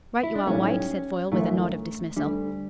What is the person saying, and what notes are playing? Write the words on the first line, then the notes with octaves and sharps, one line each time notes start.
"Right you are, White," said Foyle with a nod of dismissal.
E4
D4
B1 A2 G3 C#4
G1 F#2 E3 A3
D2 D3 G3 A3